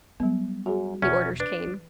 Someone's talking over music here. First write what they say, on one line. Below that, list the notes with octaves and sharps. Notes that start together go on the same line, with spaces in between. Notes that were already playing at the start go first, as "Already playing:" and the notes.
The orders came.
F#3 G3 B3
F#2 F#4 G#4
E1 E2 C#4
D4 B4
E3